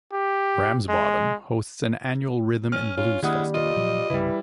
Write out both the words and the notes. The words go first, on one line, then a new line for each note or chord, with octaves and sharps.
Ramsbottom hosts an annual rhythm and blues festival.
G4
G#3
C#4 F6
C#4 F4
D#3 G3 G#3 A#3 D4 E4 F#5 D#6
F4 D#5
A#2 F3 F#3
C2 G2 C#3 E3 G3 E4